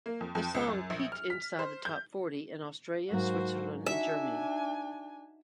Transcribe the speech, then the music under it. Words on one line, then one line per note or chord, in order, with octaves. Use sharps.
The song peaked inside the top forty in Australia, Switzerland and Germany.
A#3
F2
F2
C#2
F#2
A#1
F6
B6
C5
G6
G#2 F#3 A#3 F#4 C5
D4 D#4 F#4 E5 G#5